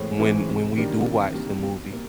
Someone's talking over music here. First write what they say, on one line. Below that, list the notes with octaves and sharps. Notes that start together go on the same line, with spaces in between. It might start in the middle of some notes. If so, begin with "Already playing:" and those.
when when we do watch the movie
Already playing: A2 E3 G#3 C4
E3 G#3 C4
C3
D#3 G3 A#3 D4
C3
D#3 G3 A#3 D4
B2
G3 A#3